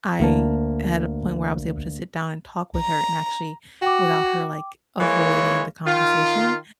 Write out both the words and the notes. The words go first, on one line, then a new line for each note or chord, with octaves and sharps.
I had a point where I was able to sit down, and talk with her, and actually without her, like, avoiding the conversation,
D2 A#3 A5
A#5
F#4 G5 D6
E3 G#3 A#3 C#5
D#3 F4